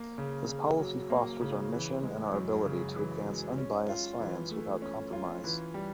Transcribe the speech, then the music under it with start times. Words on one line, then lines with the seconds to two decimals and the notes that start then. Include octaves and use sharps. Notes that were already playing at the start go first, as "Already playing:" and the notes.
This policy fosters our mission and our ability to advance unbiased science without compromise.
Already playing: A#3
0.18 C#3
0.49 C#3
0.80 F#3
1.10 A#3
1.41 C#3
1.72 E3
2.03 G#3
2.34 F#2
2.65 C#3
2.96 E3
3.27 G#3
3.58 C#4
3.89 F4
4.20 E3
4.51 A3
4.82 C#4
5.13 F4
5.44 E3
5.74 G3